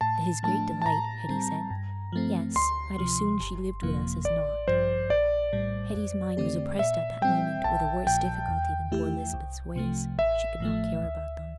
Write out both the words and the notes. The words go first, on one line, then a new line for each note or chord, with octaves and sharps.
To his great delight, Hetty said, "Yes; I'd as soon she lived with us as not." Hetty's mind was oppressed at that moment with a worse difficulty than poor Lisbeth's ways; she could not care about them.
A2 A5
F3 A3 D4 A5
A5
A2 A#5
G3 C4
G2
F3 A3 C4
D2 C6
C3 F3
G1
F2 C3 F3 A#3
A1 D5
G2 F3 C5
A#1 D5
A2 G3
F2
D3 A3 C4 G4
A#2 E5
G3 C4 G5
A#1 A5
A#2 F3 G5
E2
E3 A3 E4 G4
C2
C3 F3 A3
A1 E5
A2 F3 A3
D2